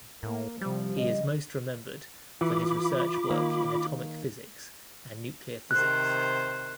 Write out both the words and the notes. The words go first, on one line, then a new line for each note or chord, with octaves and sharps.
He is most remembered for his research work in atomic physics and nuclear physics.
A2 A#3
C3 F3 G3
C#3 D#5
E3 F4 B5 D6
D#3 A#3
C3 D#3 C5 F#6